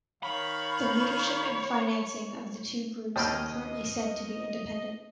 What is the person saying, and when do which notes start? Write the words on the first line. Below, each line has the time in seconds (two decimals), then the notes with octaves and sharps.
The leadership and financing of the two groups are currently said to be independent.
0.23 D#3 C#5 F5 B5
3.16 D#2 C#5 D#5 G5 A5 B5 F6